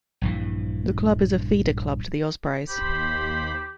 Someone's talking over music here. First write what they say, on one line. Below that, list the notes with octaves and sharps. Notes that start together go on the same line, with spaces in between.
The club is a feeder club to the Ospreys.
A#1 G2 E3
D#2 G4 C5 B5